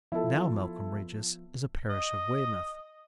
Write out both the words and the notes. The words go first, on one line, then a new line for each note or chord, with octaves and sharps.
Now Melcombe Regis is a parish of Weymouth.
F3 B3 E4 F4 A4
D#5